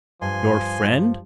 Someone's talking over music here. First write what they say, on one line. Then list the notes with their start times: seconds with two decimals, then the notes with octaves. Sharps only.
"Your friend?"
0.22 G2 F3 G#5 C6